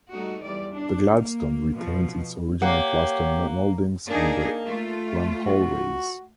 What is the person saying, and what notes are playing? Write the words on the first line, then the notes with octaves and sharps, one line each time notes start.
The Gladstone retains its original plaster mouldings in the grand hallways.
G3 A3 D#4 F#4
E2 G3 D5
D4
A#3
B2 F3
A#3 G4 C#5 F#5
A#3 D4 D#4 G#4
A3 F4
F#4